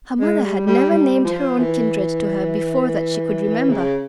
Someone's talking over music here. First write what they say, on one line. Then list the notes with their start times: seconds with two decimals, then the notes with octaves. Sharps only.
Her mother had never named her own kindred to her before that she could remember.
0.20 G#3
0.43 G3
0.67 G3
0.90 G3
1.24 F3
1.59 E3
3.70 C#3